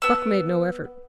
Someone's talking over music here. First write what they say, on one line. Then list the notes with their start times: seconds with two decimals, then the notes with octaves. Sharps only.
Buck made no effort.
0.02 B3 E6